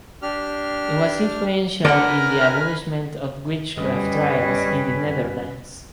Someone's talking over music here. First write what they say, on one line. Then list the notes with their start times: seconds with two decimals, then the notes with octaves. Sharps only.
It was influential in the abolishment of witchcraft trials in the Netherlands.
0.22 D4 G4 F6
1.85 D3 A#4 B4 D5 F#5 G#5 B5
3.77 G1 F#2 G3 C#4 B4 D#5